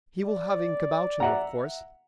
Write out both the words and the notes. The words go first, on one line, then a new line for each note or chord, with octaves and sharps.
He will have ink about him, of course.
D5
E5 F#5 A#5